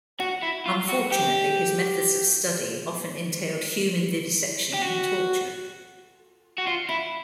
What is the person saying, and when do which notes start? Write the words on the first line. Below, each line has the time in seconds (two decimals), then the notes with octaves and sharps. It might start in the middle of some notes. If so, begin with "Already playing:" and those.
Unfortunately, his methods of study often entailed human vivisection and torture.
0.20 F#4
0.42 E4
0.66 F4
0.89 F#4
1.11 G4
4.74 G4
4.82 F#4
6.58 F#4
6.67 F4
6.90 E4